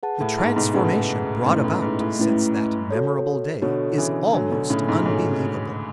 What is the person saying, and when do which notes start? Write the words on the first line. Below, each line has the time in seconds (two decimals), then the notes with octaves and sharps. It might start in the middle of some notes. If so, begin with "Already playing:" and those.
The transformation brought about since that memorable day is almost unbelievable.
0.03 G#4 B4 F#5 A5
0.21 A2
0.38 G#2
0.56 G#2 B2
0.74 A2 C#3 G#4 B4 F#5 A5
1.46 G#2 B2 A3 C#4 E4 B4
1.64 A2
1.82 G#2
2.00 A2
2.19 A3 C#4 E4 B4
2.91 F#4 A4 C#5
3.62 B2 D3 F#4 A4 C#5
3.98 C#3 E3
4.33 D3 F#3 F#4 A4 C#5 G#5
4.51 B2 D3
4.70 A2 C#3
4.88 G#2 B2
5.05 G#2 F#4 A4 C#5 G#5